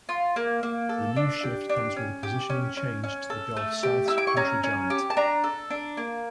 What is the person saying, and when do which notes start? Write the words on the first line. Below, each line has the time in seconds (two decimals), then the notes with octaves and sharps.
The new shift comes with a positioning change to "The Gulf South's Country Giant".
0.09 F4
0.36 A#3
0.63 A#3
0.89 A4
1.16 D4
1.43 G4
1.69 D4
1.96 C#4
2.23 G4
2.50 C#4
2.77 C#4
3.04 C#4
3.30 A4
3.56 A3
3.83 G4
4.08 E4 E6
4.18 D6
4.27 C#6
4.37 C#4 A#5
4.64 C#4
4.90 G4
5.10 A5
5.17 D4 A#5
5.44 A4
5.70 D4
5.97 A#3